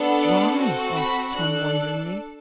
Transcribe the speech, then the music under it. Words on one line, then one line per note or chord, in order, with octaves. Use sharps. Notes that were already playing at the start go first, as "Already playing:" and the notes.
"Why?" asked Tom, wonderingly.
Already playing: B3 D4 A4
D5
C4 F#4 A4
B5
D4 A4 F#6